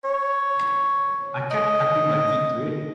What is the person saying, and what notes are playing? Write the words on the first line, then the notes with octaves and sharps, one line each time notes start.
I kept tapping my feet to it.
C#5
D#5